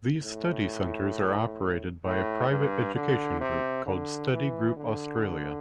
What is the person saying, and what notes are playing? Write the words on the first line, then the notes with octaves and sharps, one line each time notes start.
These study centres are operated by a private education group called Study Group Australia.
A2
A2
G2
D3
C3
D3
E3
D3